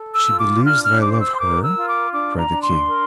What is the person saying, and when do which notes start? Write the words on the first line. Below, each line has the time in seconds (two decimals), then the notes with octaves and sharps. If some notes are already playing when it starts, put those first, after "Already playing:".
"She believes that I love her!" cried the King.
Already playing: A4
0.14 E6
0.27 F4
0.39 D6
0.64 D4 F6
0.83 F6
1.01 C5 D6
1.13 D6
1.20 E6
1.34 C6
1.39 A#4 D6
1.63 E6
1.75 F4
1.88 D6
2.13 D4 D6
2.37 A#5
2.50 D4
2.62 C6
2.87 A#4